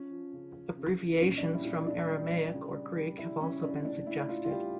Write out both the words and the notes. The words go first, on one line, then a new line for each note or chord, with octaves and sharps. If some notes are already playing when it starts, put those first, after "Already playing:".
Abbreviations from Aramaic or Greek have also been suggested.
Already playing: F3 C#4
F3
C#3
F3
C#3
F3
A#2 C#4
D4
G3
E4
A#2
E4
A#2 D4
G3
G3
C#3
G3
G3
C#3 E4
G3 C#4
C#3 D4
A2 D4
A2 E4
A2 F4
F4
G3 G4